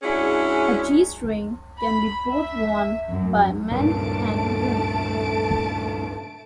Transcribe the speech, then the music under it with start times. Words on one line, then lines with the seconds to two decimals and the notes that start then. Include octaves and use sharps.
A G-string can be both worn by men and women.
0.02 G#3 C#4 D4 E4 F#4 G#4
1.81 B5
2.30 E5
3.09 F#2
3.71 G2 A#2 C#3 A3 A5 D7